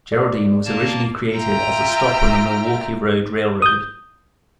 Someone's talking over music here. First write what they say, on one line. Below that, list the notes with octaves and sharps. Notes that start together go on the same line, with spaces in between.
Geraldine was originally created as a stop on the Milwaukee Road railroad.
D5
A#3 A5
F4 E5 G5 A#5 F6
D#6 G6